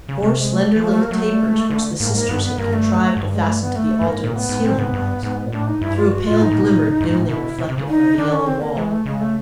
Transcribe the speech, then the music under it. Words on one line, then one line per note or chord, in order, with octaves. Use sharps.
Four slender little tapers, which the sisters had contrived to fasten to the altar with sealing-wax, threw a pale glimmer dimly reflected by the yellow wall.
C#3
C3
G#3
A3
E3
F3 A3
A3
A#3
F#3 A3
G3
G#3
D3
G#2 A#3
A2
G#2 A#3
G2 B3
B3
G2 A#3
A3
G2
G#3
A3
B3
A3
G2
G#2 A#3
A#2
A2 B3
G#2
A2 C4
G#2 B3
G2
G#2
A#2
A2 D4
D#4
G2 E4
F4
F#4
A2 F4
G#2 D#4
A2
B2
A2
G2
G#2
A2
B2 E4
B2
C3
C#3
D3 D#4
D#3 D4
C#4
C4
A#3
E3 G#3
A3
C#3 G#3
A3